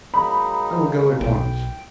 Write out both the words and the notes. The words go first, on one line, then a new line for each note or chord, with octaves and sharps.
I will go at once.
F#3 G#3 A#3 D#4 B5
B1 G5